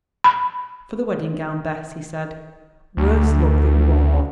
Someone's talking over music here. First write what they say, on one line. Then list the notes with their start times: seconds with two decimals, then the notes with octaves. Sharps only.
"For the wedding gown, Bess," he said; "worse luck that you want one!"
0.24 B5
2.97 D2